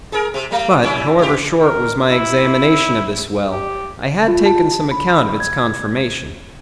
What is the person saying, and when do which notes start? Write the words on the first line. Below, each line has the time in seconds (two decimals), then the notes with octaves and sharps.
But, however short was my examination of this well, I had taken some account of its conformation.
0.12 G#4 A#4
0.34 C3
0.51 G3 A3
0.83 G3 C#4 E4
1.19 G#2 G4
1.62 A#4
2.10 E4
3.51 G4
4.28 F4
4.46 A5
4.91 B5
5.40 G#6